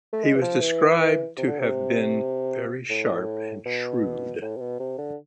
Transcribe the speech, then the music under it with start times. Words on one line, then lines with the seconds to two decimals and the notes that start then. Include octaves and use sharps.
He was described to have been very sharp and "shrewd".
0.13 A3
0.24 G#3
0.36 E3
0.42 F3
0.61 E3
1.38 C3
1.48 D3
1.60 C3
2.90 A2
3.66 B2
4.42 A2
4.57 C3
4.61 B2
4.80 C3
4.98 D3